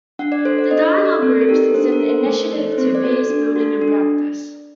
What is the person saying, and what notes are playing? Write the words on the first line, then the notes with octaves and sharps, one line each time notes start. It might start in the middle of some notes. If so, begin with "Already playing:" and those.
The Dialogue Groups is an initiative to peace building in practice.
D4 F#5
D5
A4 C5
D5
D4 D#5
D5
F#4 A4
D5
C4 A4
A4
D#4 G4 A#4
D4 C5
A#4
A4
C5
A3
D#4 A4
C4 C5
D5
F#4 A4
D5
D4
F#4 A4
D4